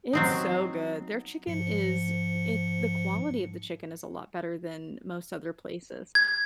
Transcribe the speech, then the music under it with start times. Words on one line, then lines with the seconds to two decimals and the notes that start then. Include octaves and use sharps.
It's so good. Their chicken is it the quality of the chicken is a lot better than most other places.
0.13 F#3 C4 D#4
1.47 G#2 F3 C#7
6.15 G#6